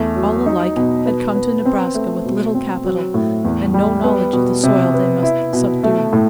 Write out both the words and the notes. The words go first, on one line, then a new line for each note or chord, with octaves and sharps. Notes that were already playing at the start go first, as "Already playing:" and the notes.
All alike had come to Nebraska with little capital and no knowledge of the soil they must subdue.
Already playing: E2 A3
F#3
D#4
B2
B3
B3
C4
A3
B2
C4
F#3
A2
E2
G3
B3
B2
C3
B3
E4
B2
A3
A2